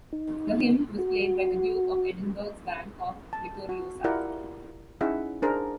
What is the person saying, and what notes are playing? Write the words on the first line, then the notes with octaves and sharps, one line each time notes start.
The hymn was played by the Duke of Edinburgh's Band, of Vittoriosa.
D#4
F#4
A5
F#4
E4 F4 G4 A#4 D5 F#5
C#4 D#4 E4 G#4 E5 F#5
D4 G#4 A#4 C5